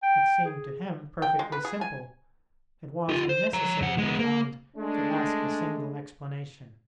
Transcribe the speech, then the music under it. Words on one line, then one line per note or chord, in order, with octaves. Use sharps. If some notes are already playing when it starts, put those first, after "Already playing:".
It seemed to him perfectly simple; it was unnecessary, he found, to ask a single explanation.
G5
G#4
G5
G#3
B4
G#4
G#5
F4 G4
C5
C#5 A#5
F2 F#5
G#3 B3
A#3
G#3 A3 D4